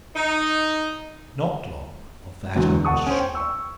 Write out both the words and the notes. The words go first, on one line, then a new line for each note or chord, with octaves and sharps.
Not long; of that I was sure.
D#4
E2 D3 F#3 G#3
E1 F#5 A5 C#6 D#6
C#4 C5
G5
C#6 E6